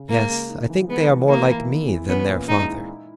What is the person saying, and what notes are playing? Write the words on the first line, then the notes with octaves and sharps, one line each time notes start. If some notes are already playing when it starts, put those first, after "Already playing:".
"Yes; I think they are more like me than their father."
Already playing: C#3 C#4
G#3 A#3
C#3
D#4
E3
G#3 B3
E3
A#3 E4
E3
B3
E3
B3 C#4
A#2
G#3 D#4
E4
D#4